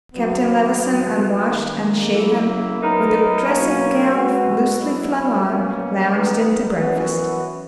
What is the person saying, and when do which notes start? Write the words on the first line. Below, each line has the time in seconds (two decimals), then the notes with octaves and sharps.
Captain Levison, unwashed, unshaven, with a dressing-gown loosely flung on, lounged in to breakfast.
0.14 D#3 F#3 B3
0.81 G#2 F#3 B3
1.47 F#2 D#3 A#3
2.14 C#3 F#3 A#3 E4
2.80 F#3 B3 D#4 A#4
3.46 B2 F#3 A#3 C#4
4.13 B2 G#3 B3 F#4
4.79 F#3 B3 E4
5.45 B2 F#3 A#3 C#4
6.11 E3 B3 D#4
6.78 F#2 E3 B3 F#4